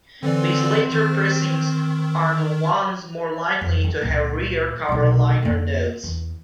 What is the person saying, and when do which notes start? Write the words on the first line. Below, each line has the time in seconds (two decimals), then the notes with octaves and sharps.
These later pressings are the ones more likely to have rear cover liner notes.
0.23 D3 E3 C4 D5
0.91 D#3
3.61 F2
3.84 F3
4.01 C#2 A#2
4.89 B1 C3
5.43 F2 A#3
6.04 E2